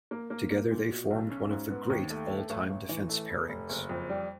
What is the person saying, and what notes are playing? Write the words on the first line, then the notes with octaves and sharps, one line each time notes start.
Together they formed one of the great all-time defence pairings.
A#3
A#3
A#3
A#2
B2
B1
C#4
G#2
B3
D#2
A3
A3
A1
A1
E3
A3
F1
F1
F#1
F2
G3